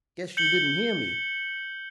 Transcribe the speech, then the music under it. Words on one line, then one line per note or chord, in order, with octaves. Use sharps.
Guess you didn't hear me.
G6 C#7 F#7 G7